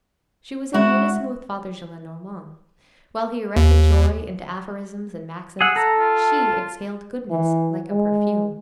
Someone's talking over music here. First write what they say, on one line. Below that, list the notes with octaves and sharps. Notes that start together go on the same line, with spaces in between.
She was in unison with Father Gillenormand; while he erected joy into aphorisms and maxims, she exhaled goodness like a perfume.
G#3 E4 F#4
D#2
G#4 F#5 E6
A4 A#5
F4
E3
G#3